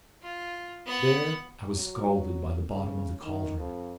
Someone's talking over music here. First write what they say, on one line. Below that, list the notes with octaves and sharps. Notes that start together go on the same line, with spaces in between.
There I was scalded by the bottom of the caldron.
F4
B3 F#5
F#3
C#3
D#3
F2